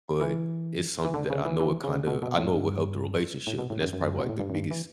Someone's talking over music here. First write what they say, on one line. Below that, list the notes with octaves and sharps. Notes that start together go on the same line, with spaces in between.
but it's something that I know it kinda I know it would help the relationship, and that's probably like the biggest
E3
E3
D3
C#3
E3
E3
C#3
B2
B2
A2
G2
A2
B2
A2
F#2
F#2
B2
A2
G2
F#2
G2
E3